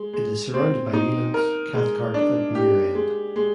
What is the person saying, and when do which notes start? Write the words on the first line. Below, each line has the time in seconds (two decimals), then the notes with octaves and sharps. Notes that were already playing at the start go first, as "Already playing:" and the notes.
It is surrounded by Newlands, Cathcart and Muirend.
Already playing: G#3
0.13 G#3
0.54 C4
0.93 D#4
1.34 A#4
1.74 G#3
2.14 D4
2.55 G4
2.95 G#3
3.36 G#3